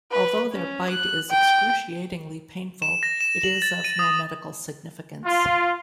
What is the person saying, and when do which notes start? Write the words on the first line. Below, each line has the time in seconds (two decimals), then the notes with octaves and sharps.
Although their bite is excruciatingly painful, it is of no medical significance.
0.12 B4
0.53 C#4
0.90 F#6
1.30 G5
2.82 E7
3.03 A#6
3.21 E7
3.43 F#7
3.62 A6
3.84 D#7
3.99 D#6
5.24 F4